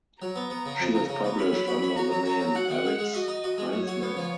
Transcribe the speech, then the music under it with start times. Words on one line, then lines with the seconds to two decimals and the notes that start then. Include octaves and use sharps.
She has published under the name Alix Heintzman.
0.21 F#3 A#5
0.36 B3
0.50 B3
0.66 C#3
0.80 F2
0.95 C#3
1.09 C#3
1.24 B3
1.38 C#4 B5
1.53 F#3
1.67 F#4
1.82 C#4
1.96 F#4 A#5
2.12 F#3
2.26 C#4
2.41 F#3
2.55 F#4 F#5
2.70 D#3
2.85 G#3
2.99 G#3
3.14 F#4 D#5
3.28 D#4
3.44 F#4
3.58 G#3
3.73 F#2 C#5
3.87 F#4
4.02 B3
4.17 F3